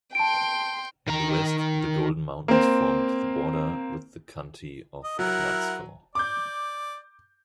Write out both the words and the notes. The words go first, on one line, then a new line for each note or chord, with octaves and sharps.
In the west the Golden Mountains formed the border with the County of Kladsko.
G5 A5 C6 D7
D#3 A#5
A#3 C4
D#5
F#3 E4 A#4 F#5
D5 D6 G6